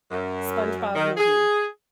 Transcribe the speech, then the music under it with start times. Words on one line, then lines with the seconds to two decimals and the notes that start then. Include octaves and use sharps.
SpongeBob movie.
0.11 F#2
0.95 D#3
1.17 G#4